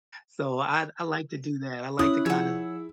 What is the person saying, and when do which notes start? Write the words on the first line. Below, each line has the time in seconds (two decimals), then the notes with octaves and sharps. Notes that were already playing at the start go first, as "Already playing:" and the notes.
So, I d I like to do that, I like to kind of
1.99 C#4 E4 C#5 D#6 F#6
2.26 F3 G#4 C#5 F#5 E6